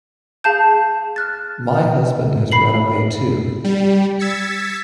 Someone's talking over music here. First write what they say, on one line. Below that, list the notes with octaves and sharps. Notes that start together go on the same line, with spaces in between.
My husband has run away too.
G#4 F5 A5 G6
F6 F#6 A6
B5 C7 F#7
G3
E6 G#6 A6 B6 C#7